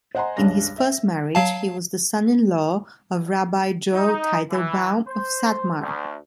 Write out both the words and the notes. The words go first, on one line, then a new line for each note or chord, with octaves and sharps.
In his first marriage, he was the son-in-law of Rabbi Joel Teitelbaum of Satmar.
C5 D#5 F#5 G#5 A#5 C6
C#2 G2 D4 C#5 A#6
E5
F#3 F5 A5
D#4
E3
C5
D2